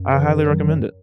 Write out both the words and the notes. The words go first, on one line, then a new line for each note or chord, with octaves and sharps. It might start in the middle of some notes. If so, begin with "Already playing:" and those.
I highly recommend it.
Already playing: F#2
C#3 E3
D#3 F#3